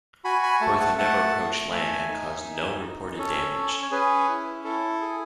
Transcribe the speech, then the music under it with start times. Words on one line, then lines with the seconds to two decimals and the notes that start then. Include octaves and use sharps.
Bertha never approached land and caused no reported damage.
0.24 F#4 G#5 B5
0.43 G#5 B5
0.61 A3 A5 C#6
0.80 F#5 A5
0.98 A3 F#5 A5
1.35 A3
1.71 A3 E5 G#5
2.08 D#4
2.44 D#4
2.81 D#4
3.18 C#4 A4 C#5
3.55 C#4
3.82 C#5
3.91 C#4 G#4 B4
4.29 E4
4.64 E4 A4
5.01 G#4